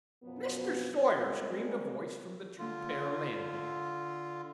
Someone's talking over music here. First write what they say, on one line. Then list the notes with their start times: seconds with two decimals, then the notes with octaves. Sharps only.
Mr. Sawyer!' screamed a voice from the two-pair landing.
0.23 F#2 B2 F3 F#3 B3
1.18 G3 G#3 B3 C4 A#4
2.58 D3 F4